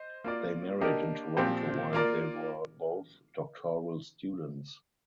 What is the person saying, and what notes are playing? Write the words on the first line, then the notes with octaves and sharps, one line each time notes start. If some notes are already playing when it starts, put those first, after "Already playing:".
They married in Toronto while they were both doctoral students.
Already playing: C5 D#5
A#3 F4 A#4 D5
A#3 D4 G4 A#4 D#5
A#2 F3 C4 G4 C5
A#3 F4 A#4 D5